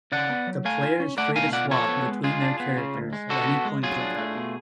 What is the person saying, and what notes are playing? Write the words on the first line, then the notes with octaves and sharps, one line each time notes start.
The player is free to swap between their characters at any point during battle.
C#3 D5 F#5
B3
F#3
A3 F5 G#5
F4
C#4
A3 D5 F#5
B2 F5 G#5
F4 D5 F#5
F3 A4 C#5
B3
G#3
G#3 F4 G#4
D4
B3
C#3
D2
G#3
D3 F#4 A4
B3
G#3
F#3 F4 G#4
D4
A3
B2